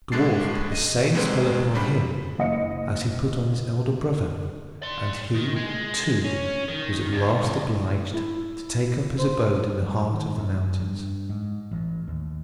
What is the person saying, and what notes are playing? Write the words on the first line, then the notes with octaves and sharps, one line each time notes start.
But the dwarf put the same spell upon him as he put on his elder brother, and he, too, was at last obliged to take up his abode in the heart of the mountains.
G2 D3 G#3 D4 A6 C7
D#5 D#7
C2 G#3 A#3 C4 B4
C2 C#3 G3 D4 B5
F#1 D#5 C#7
D5 C6
D#3
G#3
C#4
D#3
D2
E4
C5
G3
D#3
F#2
G2
G#2
A1
D#2